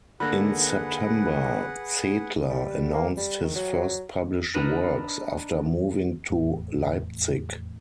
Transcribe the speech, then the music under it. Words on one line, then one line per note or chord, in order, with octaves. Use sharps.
In September, Zedler announced his first published works after moving to Leipzig.
D3 A#3 G#4 B4 F#5 B5 F#6 A#6
G3
A#3
G3
D#3
F#3
D4 D#4 A#4 B4
F1 E2 A2